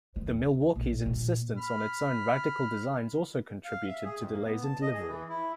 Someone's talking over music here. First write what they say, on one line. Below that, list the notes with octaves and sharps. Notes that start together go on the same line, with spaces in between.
The Milwaukee's insistence on its own radical designs also contributed to delays in delivery.
D#3
D#2
A#1
A#2
B5 F6
F5
E5
G#4
F2
A#3
B3
A5
D#5
G#4
E3
E4